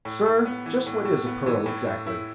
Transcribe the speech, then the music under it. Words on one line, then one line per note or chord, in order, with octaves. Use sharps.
"Sir, just what is a pearl exactly?"
A2
A2
B3
E3
A2
A2
B3
E3
A2
A2
E4